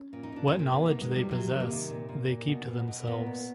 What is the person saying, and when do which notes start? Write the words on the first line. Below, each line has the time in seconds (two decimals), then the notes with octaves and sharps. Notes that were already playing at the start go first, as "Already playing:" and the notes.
What knowledge they possess they keep to themselves.
Already playing: C#4
0.13 A#2
0.23 D#4
0.32 A#2 D4
0.48 A#2 C#4
0.59 C4
0.72 C3 B3
0.86 A#3
0.92 D#3
1.01 G#3
1.11 C3 G3
1.31 C3 F#3
1.50 D#3
1.60 A#3
1.70 C3
1.90 A#2
2.09 A#2
2.28 A#2
2.48 B2
2.67 B2
2.88 B2
3.07 A#2 B3
3.26 A#2